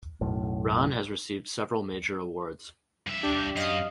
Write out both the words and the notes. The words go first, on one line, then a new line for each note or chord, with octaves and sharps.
Rahn has received several major awards.
B1 F#2 A2
G2 E5
D4 G4
F#2 D#5 F5